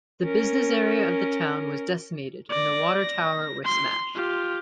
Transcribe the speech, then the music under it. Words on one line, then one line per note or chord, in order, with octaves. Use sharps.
The business area of the town was decimated and the water tower was smashed.
C#4 A#4
D5 A#6
A#6
C6 C7
F4 G4